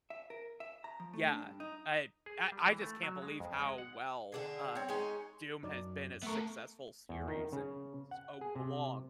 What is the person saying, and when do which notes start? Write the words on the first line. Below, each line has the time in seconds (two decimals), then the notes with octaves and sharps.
Yeah, I I I just can't believe how well, um, Doom has been a successful series and so long.
0.10 E5
0.30 A#4
0.60 E5
0.84 A#5
1.00 F3
1.13 A3
1.28 D4
1.42 G2
1.60 D#4
2.26 G#4
2.52 G3
2.67 E3
2.82 A3
3.03 F#3
3.22 G#3
3.40 F2
3.58 G#3
3.78 F#5
4.32 D3 D4 G#4
4.75 C4 C#5
4.88 G#3 C#4 D#4 G#5
5.63 F#2 D#4 D5
6.23 A3 B3 A#4 E5 C#6
7.09 E2
7.28 D#3
7.53 C#3
8.11 F#5
8.41 G#4
8.56 C3